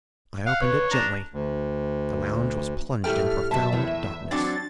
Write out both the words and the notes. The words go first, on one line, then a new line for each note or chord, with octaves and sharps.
I opened it gently. The lounge was plunged in profound darkness.
F5 F#5
B4 C#5
D4 A#5
D2
A2 G3 A3 A4 G5 F6
F6
F#2 B2 E5 A5
E2 A2 C#5
F#3 C4 D4 A6